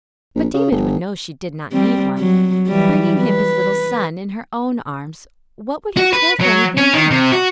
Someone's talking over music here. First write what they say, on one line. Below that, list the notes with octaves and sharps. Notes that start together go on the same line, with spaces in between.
But David would know she did not need one; bringing him his little son in her own arms, what would he care for anything more?
A#1
C#3
G1
G3 C4
F#3
E3 F#3 G3
B4
F#4
B4
F#3
C#4
D#3
C3
F#4